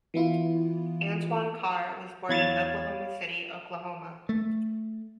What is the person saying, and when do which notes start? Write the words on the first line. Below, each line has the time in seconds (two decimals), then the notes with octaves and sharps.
Antoine Carr was born in Oklahoma City, Oklahoma.
0.14 E3 B3 E4 F4
2.29 E2 C#5 F5 B5 G#6 A6
4.29 A3